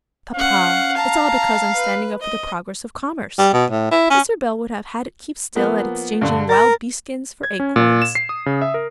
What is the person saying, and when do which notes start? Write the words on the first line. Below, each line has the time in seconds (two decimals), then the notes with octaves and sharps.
'Papa, it's all because I'm standing up for the progress of commerce. Mr. Bell would have had it keep still at exchanging wild-beast skins for acorns.'
0.35 C#4 F5 F#5
0.97 A5 A#5
1.76 B4
2.21 D#5
3.38 G3
3.53 B2
3.70 A2
3.91 E4
4.10 C#4
5.55 F3 A#3 B3
6.21 G2 D3
6.49 A#4 A6
7.43 G#6
7.60 C#4
7.76 A#2
8.02 E7
8.15 C7
8.29 D#6
8.46 C#3
8.61 E5
8.74 A#4